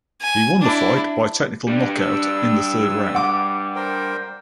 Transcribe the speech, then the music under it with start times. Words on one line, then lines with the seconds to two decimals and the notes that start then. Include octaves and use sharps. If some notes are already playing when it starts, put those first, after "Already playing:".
He won the fight by technical knockout in the third round.
0.21 G#5
0.61 D4 E4
1.67 G3 D4
2.00 E6
3.15 F#5 D6
3.76 A#4 C5 G5